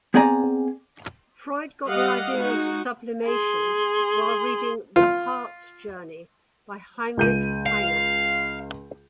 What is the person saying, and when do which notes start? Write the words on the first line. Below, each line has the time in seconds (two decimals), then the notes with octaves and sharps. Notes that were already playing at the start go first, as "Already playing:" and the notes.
Freud got the idea of sublimation while reading "The Harz Journey" by Heinrich Heine.
0.14 B3 C4 G#4 D5 G#5 A#5
1.87 G3 G4 D#5 F5 F#5
2.35 G#3 D#4 F#4
3.24 G#4 C6
4.96 F4
7.17 C#2 G6 D#7
7.66 F5